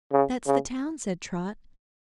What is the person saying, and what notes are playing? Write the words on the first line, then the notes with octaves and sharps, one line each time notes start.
"That's the town," said Trot.
C#3
C#3